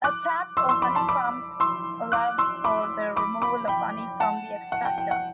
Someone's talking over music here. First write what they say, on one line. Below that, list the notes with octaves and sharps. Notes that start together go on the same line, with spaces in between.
A tap or honey pump allows for the removal of honey from the extractor.
D6 F#6
C6 E6
C6 E6
B5 D6
A5 C6
B5 D6
C6 E6
D6 F#6
C6 E6
B5 D6
B5 D6
B5 D6
G5 B5
F#5 A5
F#5
G5
G5
F#5